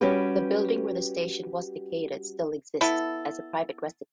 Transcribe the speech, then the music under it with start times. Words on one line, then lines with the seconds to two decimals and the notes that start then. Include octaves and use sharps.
The building where the station was located still exists as a private residence.
0.01 G3 C#4 F#4 G4 B4
2.81 B3 E4 A4